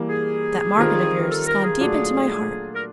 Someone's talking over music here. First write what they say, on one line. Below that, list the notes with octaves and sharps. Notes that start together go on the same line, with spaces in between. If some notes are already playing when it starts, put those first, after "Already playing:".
'That Margaret of yours has gone deep into my heart.
Already playing: E3 G3 A#3
G#4
D#3 G3 C4 F4 A#4
A4
A#4
G#4
A#2 F#3 A3 D4 F4
A#4